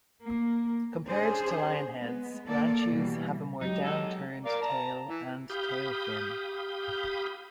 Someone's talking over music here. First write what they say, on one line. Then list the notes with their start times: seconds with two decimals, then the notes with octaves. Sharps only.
Compared to lionheads, ranchus have a more downturned tail and tail fin.
0.22 A#3
1.05 C#4 D4 G#4 C5
2.00 G#3 B3
2.46 A#3 A4 D5
2.89 B2 E3 G3
3.61 F#3 G#3 D#4 G4
3.84 D#4 A4
4.45 A#4 D5 F5
4.62 A5 A#5
5.08 E3
5.50 G4 F5 B5 D#6 G6